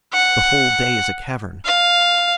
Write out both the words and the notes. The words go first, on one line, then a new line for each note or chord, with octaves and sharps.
The whole day is a cavern.
F#5
F5